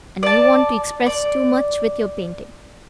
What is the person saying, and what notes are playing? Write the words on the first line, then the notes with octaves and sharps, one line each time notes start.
And you want to express too much with your painting.
D5 A5
D5